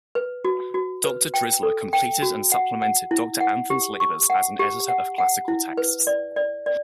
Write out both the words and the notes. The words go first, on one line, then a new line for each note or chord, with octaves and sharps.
Doctor Drisler completed and supplemented Doctor Anthon's labors as an editor of classical texts.
B4
F#4
F#4
B4
G5
A4
G5
F#4
F#5
F#5
E4
F#5
G4
C#6
F#5
G4
F#5
F#5
E4
B4
D5
D5
D5